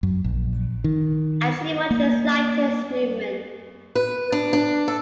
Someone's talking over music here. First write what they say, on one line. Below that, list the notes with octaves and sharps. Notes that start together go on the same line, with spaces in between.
And she watched his slightest movement...
F#2
A#1
D#3
A#3
B4
D4
D4
A4